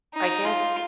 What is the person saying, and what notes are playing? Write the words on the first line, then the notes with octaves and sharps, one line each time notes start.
I guess
D#4
F4